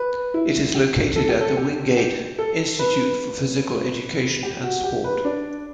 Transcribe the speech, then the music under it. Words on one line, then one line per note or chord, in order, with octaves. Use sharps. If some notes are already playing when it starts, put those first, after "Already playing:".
It is located at the Wingate Institute for Physical Education and Sport.
Already playing: B4
E4
G4
A4
G4
A4
G4
G4
A4
B4
G4
F#4
G4
B4
D4